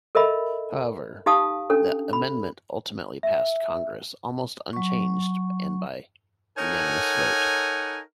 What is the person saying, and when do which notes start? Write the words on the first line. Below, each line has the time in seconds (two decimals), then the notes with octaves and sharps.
However, the amendment ultimately passed Congress almost unchanged and by unanimous vote.
0.15 A4 A#4 D#5 E5 B5
1.26 D#4 G4 F5 A5 D#6
1.70 C#4 D4 A4
2.13 B5
3.23 E5
4.73 F#3 C#6
6.58 D#4 A4 A#4 C#5 F#5 G#5